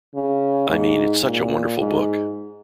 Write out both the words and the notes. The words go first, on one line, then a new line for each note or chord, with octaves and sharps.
I mean it's such a wonderful book.
C#3
G#2
A#2
G#2